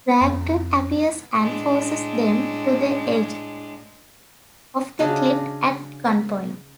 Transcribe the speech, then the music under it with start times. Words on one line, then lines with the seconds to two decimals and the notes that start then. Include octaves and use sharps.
Bragdon appears and forces them to the edge of the cliff at gunpoint.
0.21 F2
1.38 A2 G#3 D4
4.99 C#3 D4 F#4 D#5